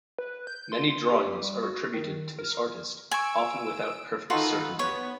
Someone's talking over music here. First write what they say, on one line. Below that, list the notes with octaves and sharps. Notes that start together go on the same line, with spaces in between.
Many drawings are attributed to this artist, often without perfect certainty.
B4
G6
C6
G4
G3
F#4
D#3
A#4
G#5 C#6 E6 D7
D#3 D#4 F4 F#4 A4 B4
B3 C#5